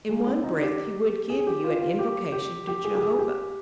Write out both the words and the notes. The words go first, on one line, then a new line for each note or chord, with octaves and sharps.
In one breath he would give you an invocation to Jehovah.
G#3
C4
D#4
G4
G#4
G4
F4
F4
G4
G4
G4
G#4
G4
G#4
G4